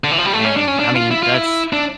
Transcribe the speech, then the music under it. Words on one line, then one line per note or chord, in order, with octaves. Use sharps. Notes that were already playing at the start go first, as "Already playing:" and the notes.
Dang. I mean, that's
D3
E3
F3
G3
A3
C#4
D4
C#4
D4
F4
E4
F4
E4
D4